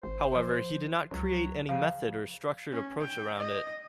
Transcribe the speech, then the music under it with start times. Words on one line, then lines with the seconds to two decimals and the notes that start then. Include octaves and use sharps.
However, he did not create any method or structured approach around it.
0.03 G#1 C5
0.35 F3
1.11 C#2 F#3
1.69 C#3 F3 F5
2.71 C#4
3.01 G5
3.38 D#5